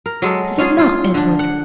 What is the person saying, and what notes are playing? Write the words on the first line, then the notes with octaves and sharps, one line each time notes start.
"Is it not, Edward?"
A#4
F#3 G#3 A4
C#4 F4 G#4
F4
D3 D4
F#5